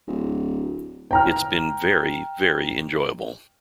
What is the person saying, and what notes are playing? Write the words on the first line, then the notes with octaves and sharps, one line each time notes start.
It's been very, very enjoyable.
D1
G5 A#5 F6